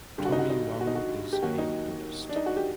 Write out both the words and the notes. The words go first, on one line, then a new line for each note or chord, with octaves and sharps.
Tony Leung is a Buddhist.
G2 D3 G3 G4
F#4
D#4
F#4
D#4
F#4
D#4
F#4
G4
D#2 D#3 F#3 A#3 F#4
D#4
D4
D#4
F#4
G4